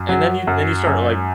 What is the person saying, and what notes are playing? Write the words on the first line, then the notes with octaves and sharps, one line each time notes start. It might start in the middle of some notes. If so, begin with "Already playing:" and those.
And then you then you start, like,
Already playing: F#2
F#3
F#2
F#2